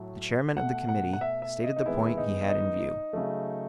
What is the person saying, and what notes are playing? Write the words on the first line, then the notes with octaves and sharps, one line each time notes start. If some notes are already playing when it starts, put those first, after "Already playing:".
The chairman of the committee stated the point he had in view.
Already playing: A2 F#3 A3
B2 A3 F#5
F#5
F#5
E5
E5
D#5
D#4
D#3 G#3 B3 E4
D#4
D#4
C#3 F#3 A3